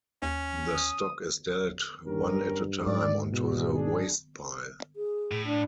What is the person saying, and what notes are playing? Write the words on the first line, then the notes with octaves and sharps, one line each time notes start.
The stock is dealt one at a time onto the wastepile.
D#2 C#4
D#6
G2 C#4 G4 A#4
G#2 D5
E2 B2
D4 G#4
G#4
A2
D4